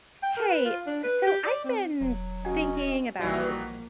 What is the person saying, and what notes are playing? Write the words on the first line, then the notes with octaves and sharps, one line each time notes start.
Hey. So I've been thinking about
G5
A#4
B4
F4
D4
B4
G4
D5
C4
E1 F#3
C#4 F#4 D#5 G#5
A#1 E3 F#3 G3 A#3 D#4 F#4